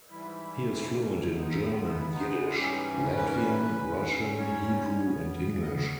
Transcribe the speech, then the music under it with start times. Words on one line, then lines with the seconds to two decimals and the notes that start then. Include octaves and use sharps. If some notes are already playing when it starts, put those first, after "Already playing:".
He is fluent in German, Yiddish, Latvian, Russian, Hebrew and English.
0.09 G#2 E3 G3 E4
1.32 C#3 G#3 B3 D#4
1.88 D#4
1.93 E4
2.14 D#4
2.55 G#2 E3 G3 C#4 G4
2.70 G4
3.16 B4
3.26 A#4
3.36 B4
3.78 G#2 G3 C#4
4.39 C#5
5.00 C#3 G3 B3
5.61 D#5
5.77 C#5